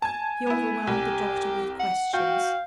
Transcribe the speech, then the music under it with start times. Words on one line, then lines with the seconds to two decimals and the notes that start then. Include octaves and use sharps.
He overwhelmed the doctor with questions.
0.02 G#5 A5 G#6
0.47 B3 E4
0.87 C2 G4
1.79 F#5
2.13 F#4 F5 G5 G6